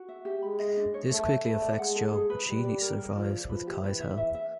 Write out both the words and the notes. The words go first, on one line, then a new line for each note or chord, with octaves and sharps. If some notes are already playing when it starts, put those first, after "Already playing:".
This quickly affects Jo, but she survives with Ky's help.
Already playing: F#4
E5
G4
G#3 B5
D#5
D4
C#5
A3 C#5
C#5
A3 B4
D5
G#3 F#5
A4
G#4
B4
G3 B4
D5
A#4
A#4
F3 D5
D5
F3 B4
G4
E3 B4
E5
E5
E5